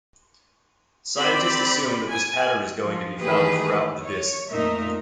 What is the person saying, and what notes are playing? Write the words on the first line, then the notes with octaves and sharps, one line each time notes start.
Scientists assume that this pattern is going to be found throughout the disk.
C4 G4 D5 B5
G#5
F3
D#3 E3 A3 G4 G#4 B4
C#5
F2 A#2 A3 D#4 A#4 E5